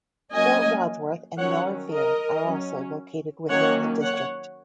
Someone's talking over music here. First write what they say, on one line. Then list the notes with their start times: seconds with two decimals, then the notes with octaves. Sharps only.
Fort Wadsworth and Miller Field are also located within the district.
0.32 F#3 A#3 C#4 D#5 G#5
1.38 D#3 F#3 C#4 C#5 F#5
1.90 A#4 D#5
2.43 F#3 C#4
3.49 D#3 F#3 A#3 C#4 C#5 F#5
4.02 C#5 F#5